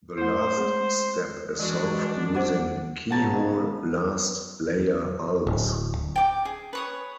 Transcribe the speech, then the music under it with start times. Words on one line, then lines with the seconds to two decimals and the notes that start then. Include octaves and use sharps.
The last step is solved using Keyhole last layer algs.
0.18 A3 E4 C5
0.57 G#3 C4 G#4
1.59 E3 G#3 D4 F#4
2.35 C5 F#5 D6
3.11 A#1 C#3 B3 F#5 A5 A#5
5.47 D1
6.16 G5 D6
6.45 G#4
6.73 B4 C#5 D#6